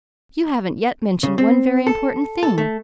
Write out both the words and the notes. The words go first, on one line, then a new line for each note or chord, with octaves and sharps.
You haven't yet mentioned one very important thing.
C#3
C4
A4
A4
A3